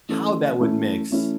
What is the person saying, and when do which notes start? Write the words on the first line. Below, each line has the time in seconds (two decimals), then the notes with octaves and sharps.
how that would mix.
0.09 E3 A3 C#4 E4 A4
0.59 E3 A3 C#4 E4 A4
1.10 E3 A3 C#4 E4 A4